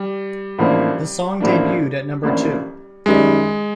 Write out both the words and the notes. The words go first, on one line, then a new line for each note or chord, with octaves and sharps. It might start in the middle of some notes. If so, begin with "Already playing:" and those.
The song debuted at number two.
Already playing: G3
A1 A2 F3 A#3 D4
A1 A2 F3 A#3 D4
A1 A2 F3 A#3 D4
F#2 D#3 G3 G#3